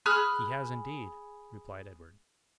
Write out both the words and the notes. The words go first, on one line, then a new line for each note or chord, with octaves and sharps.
"He has, indeed," replied Edward.
G#4 B5 F6 F#6